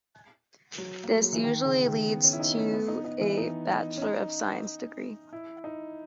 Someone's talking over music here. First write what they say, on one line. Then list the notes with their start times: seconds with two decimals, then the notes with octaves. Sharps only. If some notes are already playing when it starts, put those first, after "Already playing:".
This usually leads to a Bachelor of Science degree.
0.78 F#3
1.04 A#3
1.14 G#3
1.23 F#3
1.33 E3
1.44 D#3
1.65 C#3
1.86 D#3
2.08 B3
2.24 C#4
2.33 E4
2.40 D#4
2.57 C#4
2.73 B3
2.88 D#4
3.05 D#4
3.21 E3
3.38 D#4
3.70 D#4
3.98 C#4
4.02 D#4
5.33 E4
5.64 D#4